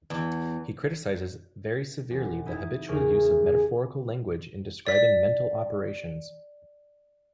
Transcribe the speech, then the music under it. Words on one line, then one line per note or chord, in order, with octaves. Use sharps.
He criticizes very severely the habitual use of metaphorical language in describing mental operations.
E2
E1
D#4 E4
E2 C#3 G4 G#4 A#4 C#6
G#4
D5 B6